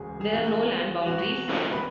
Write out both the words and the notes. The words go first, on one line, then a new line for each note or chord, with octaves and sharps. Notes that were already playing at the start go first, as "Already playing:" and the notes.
There are no land boundaries.
Already playing: E1 D2 C#3 G#3 G#4
G#4
C#2 C#3 E3 F#4
E1 E2 B2 F#4
B4